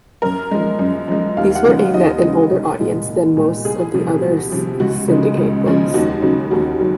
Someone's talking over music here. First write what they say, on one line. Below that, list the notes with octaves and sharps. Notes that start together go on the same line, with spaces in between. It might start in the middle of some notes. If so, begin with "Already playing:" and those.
These were aimed at an older audience than most of the other syndicate books.
F#2 A#4
F3 G#3
F#2
F3 G#3
D#2 F5
F#5
C#3 F3 G#3
D#2 D#5
C#3 F3 G#3
C2
A#2 G#3
C2
A#2 G#3
C2 G#4
C3 F3
C2 F#4
C3 F3
C#2 F#4
C#3 F3 G#3
C#2
C#3 F3 G#3
D#2 F#4
C#3 F#3
D#2 F#4
F#3